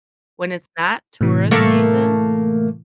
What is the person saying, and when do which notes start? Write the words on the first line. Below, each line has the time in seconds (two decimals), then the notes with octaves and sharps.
when it's not tourist season,
1.21 A2 C3 E3
1.51 A3 A#3 A#4